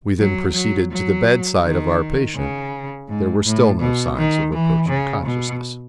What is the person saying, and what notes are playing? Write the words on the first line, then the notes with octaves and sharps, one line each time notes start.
We then proceeded to the bedside of our patient; there were still no signs of approaching consciousness.
F#3
F#3
F#3
D#3
C#3
G#2
A2
B2
D#3
E3
C#3
B2